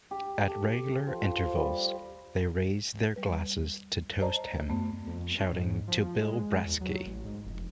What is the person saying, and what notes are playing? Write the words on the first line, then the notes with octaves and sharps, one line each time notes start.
At regular intervals, they raise their glasses to toast him, shouting To Bill Brasky!
G4
A4
F3
F3
G3
G3 B4
C5 D5 D#5 A5 A#5
F#2 A3 B3
F2
C#4
G#2
F3
G#3
E2
F#3
A1
G#2
F1